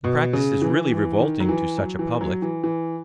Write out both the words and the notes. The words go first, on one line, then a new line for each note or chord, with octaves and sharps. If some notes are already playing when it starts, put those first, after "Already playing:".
The practice is really revolting to such a public.
B2
C#3
E3
E3
D#3
F#3
E3
F#3
E3
F#3
E3
E3